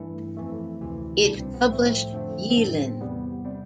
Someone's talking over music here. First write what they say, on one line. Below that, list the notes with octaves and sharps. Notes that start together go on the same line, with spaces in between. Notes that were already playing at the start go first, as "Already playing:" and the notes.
It published "Yeelen".
Already playing: G2 E3 A3 E4
F2 E3 A3
D2 C3 E3
E4
C2 B2 G3 D4
C4
B3
A2 F3 A3 C4
F2 D3 F3 A3 C4
C4
A2 G3 D4
C4
E2 C3 G3 B3
C3 G3 C4